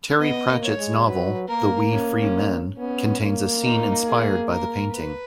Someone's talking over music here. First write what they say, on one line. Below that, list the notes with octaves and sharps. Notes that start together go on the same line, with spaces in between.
Terry Pratchett's novel "The Wee Free Men" contains a scene inspired by the painting.
B3 D#5
A#3
C#5
G#3
F#3 B4
A#3 A#4
C#4
C#4
B3 C#4
A#3
D#4
G#4
A#4
B4